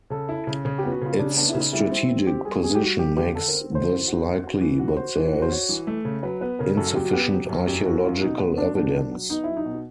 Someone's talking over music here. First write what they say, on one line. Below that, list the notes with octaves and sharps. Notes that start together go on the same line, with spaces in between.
Its strategic position makes this likely, but there is insufficient archaeological evidence.
C#3 A4
E4
C#3
C#3
G4
B3
F#4
C#3 F4
C#3 D4
B3 D4
E4
C#3 D#4
G3 E4
C4
C4
C4 G4
G3 G#4
G3 G#4
G4
G3 F#4
G3 G4
D3 G4
D3 A4
A#4
C4
D3 C5
E3
F#4
F#4
F#4
E3
F#4
F#4 C5
E3
F#4
C5
F#4 C#5
E3
A3
C#3
F#3 B4
B3 B4
C#3 A#4
F#2 A4
F#3 G4
F#4
B3 G4
F#3
F#2
F#2 G4
F#2 F#4
F#2 F4
B2 D#4
B3
F#3 D4
B2 D4
B2
F#3
B3 D#4
F#3 E4
D#4
B2